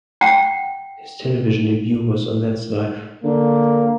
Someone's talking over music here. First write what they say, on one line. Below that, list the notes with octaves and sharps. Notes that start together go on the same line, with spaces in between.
His television debut was on That's Life!
F#5 G5
D3 A#3